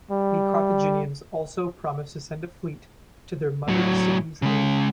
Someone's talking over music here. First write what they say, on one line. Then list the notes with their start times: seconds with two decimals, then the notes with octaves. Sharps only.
The Carthaginians also promised to send a fleet to their mother city's aid.
0.11 G3
3.68 A2 F#3
4.42 C#3 G#3